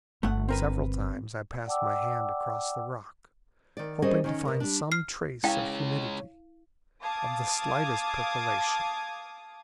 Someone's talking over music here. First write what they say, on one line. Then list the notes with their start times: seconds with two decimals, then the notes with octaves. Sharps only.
Several times I passed my hand across the rock hoping to find some trace of humidity--of the slightest percolation.
0.23 G1 A3 F#5
0.49 C4 A#4 B4
1.66 D5 F#5 G5 A5 D6 E6
3.77 D#3 D5
4.02 G3 C#4 G#4 A#4 C5 D#5
4.24 D#3 C#4 D#5
4.45 B2 A#4
4.60 G3 D4
4.92 F6 C7
5.44 G#3 C#4 E4 F5 G5
7.01 F5 A5 D6 D#6 G#6